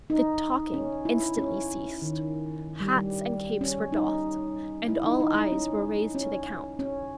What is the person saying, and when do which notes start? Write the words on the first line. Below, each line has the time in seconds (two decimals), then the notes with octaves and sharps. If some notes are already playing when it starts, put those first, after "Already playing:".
The talking instantly ceased, hats and caps were doffed, and all eyes were raised to the count.
0.10 D#4
0.74 C#4
1.05 E4
1.38 C#4
2.02 D#3
2.80 G3
2.97 G3
3.61 C#4
3.92 D#4
4.88 E4
5.04 D#4
5.20 D#4
5.36 D#4
5.52 C#4
6.15 C#4
6.79 C#4